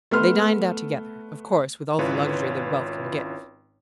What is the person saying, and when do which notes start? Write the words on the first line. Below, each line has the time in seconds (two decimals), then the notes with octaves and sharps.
They dined out together,--of course with all the luxury that wealth can give.
0.11 A3 B3 C6 F6
1.99 G#1 C#4 E4 F4 B4 C#5